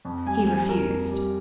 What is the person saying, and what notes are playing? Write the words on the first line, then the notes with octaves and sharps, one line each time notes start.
He refused.
F2
G3 G#5
G3 G#5
F2 A#4
F2
G3